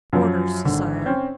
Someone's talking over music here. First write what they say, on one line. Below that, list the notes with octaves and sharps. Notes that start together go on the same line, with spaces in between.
"Orders, Sire."
F#2 F3 F#3
G#1 D3
C4 C#4